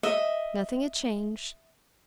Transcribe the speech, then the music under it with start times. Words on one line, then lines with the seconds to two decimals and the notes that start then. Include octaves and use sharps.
Nothing had changed.
0.03 D#5 E5